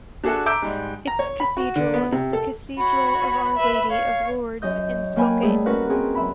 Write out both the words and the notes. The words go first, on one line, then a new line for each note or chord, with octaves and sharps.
Its cathedral is the Cathedral of Our Lady of Lourdes in Spokane.
D4 F#4 G#4 A4 E5
E5 A#5 D6 E6 G6 D7
G#2 G3 G#3
A#5
C#5
B5
F#4
D3
B3
C3
A4
F#4 C#5 B5
B4 E5
C#5 F5
F#2 F#3 D#5 G6
F#3 A#3 G5 G#5 B5
G3 A3 G#4
C#4 F#4 A#4 B4 F#5
C4 C#4 G#4
F#3 E5 B5